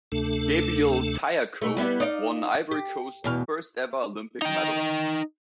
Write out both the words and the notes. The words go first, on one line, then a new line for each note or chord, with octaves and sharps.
Gabriel Tiacoh won Ivory Coast's first ever Olympic medal.
D2 C3 A3 D4 A4
B2 A3
G3 B3 E4
D#4 D5 F5
G4
E2 B2 F5
D#4 G5